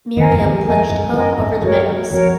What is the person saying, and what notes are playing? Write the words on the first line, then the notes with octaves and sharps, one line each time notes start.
Miriam plunged home over the meadows.
D#3 A#4 D#5 G#5
F#2
F2
F2 A#4 D#5 G#5
F#2
F#2 A#4 D#5 G#5
G#2
F#2 F#4 A#4 C#5
F2 F#4 A#4 C#5